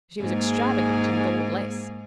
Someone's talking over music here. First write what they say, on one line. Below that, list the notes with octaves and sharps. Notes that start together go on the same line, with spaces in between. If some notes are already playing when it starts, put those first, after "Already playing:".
She was extravagant in gold lace.
G#2 A#3 G#4